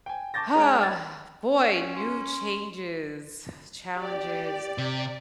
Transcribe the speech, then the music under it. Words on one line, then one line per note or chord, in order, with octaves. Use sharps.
Ah, boy, new changes, challenges,
G5 G#5
A5 C#6 D6 G6 A6 A#6
G#3 C#5 G5 F6 G#6 D7
D#5 F6 G#6 A6
C#4
C6
G4 D5
C3